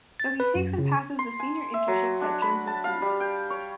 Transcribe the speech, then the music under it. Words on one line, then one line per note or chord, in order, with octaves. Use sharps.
So he takes and passes the Senior Internship at Junsu Food.
A6
B4
F#2
C#3
C6
G#5
E5
F#3
D4
B5
A5
F5
G3
G5
C#5